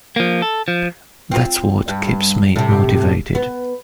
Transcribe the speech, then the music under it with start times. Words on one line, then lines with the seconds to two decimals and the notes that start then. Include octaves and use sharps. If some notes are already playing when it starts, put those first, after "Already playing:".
That's what keeps me motivated.
0.16 F3 A#3
0.42 A4
0.68 F3
1.32 C4 F4
1.88 G2
2.56 A2 C3
3.35 B3